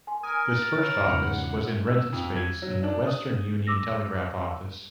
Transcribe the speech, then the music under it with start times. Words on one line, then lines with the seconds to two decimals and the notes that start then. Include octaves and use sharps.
This first office was in rented space in the Western Union Telegraph office.
0.07 G#5 C6
0.23 A#4 G#5 D#6
0.52 A6
0.78 C#5 B5
1.06 E2 G#2 C#3 F4 F#5 B5 C#6
1.87 E6
2.13 F2
2.36 G#6
2.62 F#3
2.83 D4
3.06 D#6
3.67 D6 E6 A#6